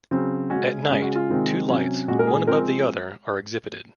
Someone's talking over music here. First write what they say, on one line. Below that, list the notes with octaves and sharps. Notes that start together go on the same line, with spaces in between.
At night, two lights, one above the other, are exhibited.
C#3 F#3 C4
C#3 G#3 C#4 F#4
C#3 G#3 C#4 G#4
F#4
F4
C3 D#3 G#3 C4
C3 F#3 C#4
A#2 G#3 C#4 F#4
A#4
G#4
F3 G#3 C4 A#4